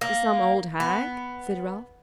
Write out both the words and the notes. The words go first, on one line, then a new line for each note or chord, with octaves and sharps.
'To some old hag?' said Ralph.
A#3
B3